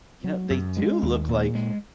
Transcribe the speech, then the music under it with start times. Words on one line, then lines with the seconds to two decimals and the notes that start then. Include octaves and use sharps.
you know, they do look like
0.24 F#3
0.50 F#2
0.77 G#3
1.03 D#2
1.29 A#2
1.55 G#3